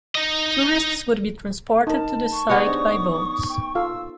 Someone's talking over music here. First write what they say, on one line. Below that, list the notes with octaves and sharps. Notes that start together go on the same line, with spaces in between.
Tourists would be transported to the site by boats.
D#4 D#5
D#4 A#4 A5
C#6
B3 D#4 G4 G#4 C#5 D5
D4 C5 D#5 D#6
G5
F4 A4 F5 E6